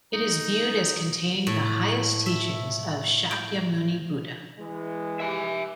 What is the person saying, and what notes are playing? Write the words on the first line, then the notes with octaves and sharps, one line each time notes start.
It is viewed as containing the highest teachings of Shakyamuni Buddha.
D#4
A2
E5
G5
E3 G#3
G4 E5 G#5